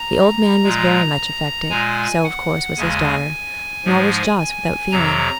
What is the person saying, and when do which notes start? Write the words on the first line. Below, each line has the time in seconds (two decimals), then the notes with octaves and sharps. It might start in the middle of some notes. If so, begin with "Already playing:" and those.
The old man was very much affected; so, of course, was his daughter; nor was Jos without feeling.
Already playing: A#5
0.63 A#2 G#3
1.70 A#2 G#3 G#5
2.24 F#5
2.77 D#2 C#3 G#3 G#5
3.85 G#2 F3 G#3
4.39 G#5
4.92 F2 C3 F#3 A#5